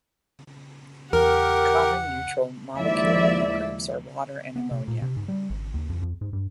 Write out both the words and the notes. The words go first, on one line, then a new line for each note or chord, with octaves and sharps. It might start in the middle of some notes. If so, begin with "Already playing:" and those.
Common neutral molecule leaving groups are water and ammonia.
E2 G4 A#4 F#5
D#2 F3 G#3 E4 D5 E5
B3
C3
A#2
C3
G#2
G3
G#1
D#2
F2
F2
G#2
G2